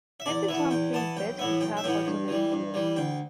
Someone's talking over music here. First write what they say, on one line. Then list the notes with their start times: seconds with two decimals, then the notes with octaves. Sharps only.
Happy-Tom plays bass guitar for Turbonegro.
0.20 E5
0.26 E2 D5
0.49 E3 B3 E5
0.71 E2 G5
0.93 E3 B3 A5
1.16 B1 G5
1.38 A2 E3 B3 E5
1.61 B1 G5
1.77 E5
1.84 A2 E3 B3 G5
2.06 G2
2.28 E3 G3
2.52 G2
2.74 E3 G3
2.96 D2 G5